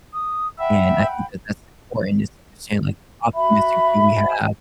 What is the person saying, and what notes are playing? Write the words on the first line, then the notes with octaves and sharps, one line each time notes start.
and I think that that's important just to understand, like, the optimistic view we have
D#6
E5 F#5 G5 B5
F#4 E5 B5